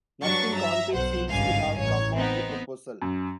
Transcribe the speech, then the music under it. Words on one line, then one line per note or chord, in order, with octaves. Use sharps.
Nothing concrete seems to have come of the proposal.
G2 F#3 D4 C#6 A6
E5 A#5
B1 C5 F#5
G#1 C#2 G2 F5 G#5
A1 C#5
B3 C4 D#4
F#2